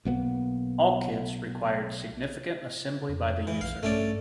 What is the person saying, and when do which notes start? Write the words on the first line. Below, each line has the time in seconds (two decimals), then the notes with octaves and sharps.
All kits required significant assembly by the user.
0.05 B1 A#3 B3
3.09 F2
3.47 E3
3.61 A#1 F5
3.83 G2 A3 C#4 D5